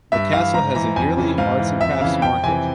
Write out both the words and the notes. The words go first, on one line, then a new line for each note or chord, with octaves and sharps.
The castle has a yearly arts and crafts market.
G2 E5
E3 F5
G#2 A#5
E3 A#5
F2 G#5
C#3 E3
G#2 F5
E3
F2 E5
C#3 E3 F5
F2 G5
C3 E3 G#5